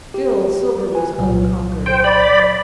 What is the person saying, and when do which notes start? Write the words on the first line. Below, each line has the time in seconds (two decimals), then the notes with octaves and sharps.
Still Silver was unconquered.
0.14 G4
0.92 B4 G#5
1.18 C2 A#2 F#3
1.86 C5 G5
2.04 D5 B5